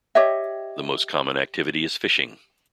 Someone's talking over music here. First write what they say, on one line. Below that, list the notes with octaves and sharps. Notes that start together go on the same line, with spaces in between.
The most common activity is fishing.
G4 C#5 D#5 E5